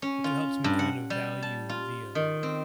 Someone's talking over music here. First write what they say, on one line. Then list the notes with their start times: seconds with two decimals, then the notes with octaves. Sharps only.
that helps me kind of value the, uh,
0.02 C#4
0.24 F4
0.64 G2
0.79 F#5
1.10 G3
1.42 A5
1.69 F4
2.15 D#3
2.43 C4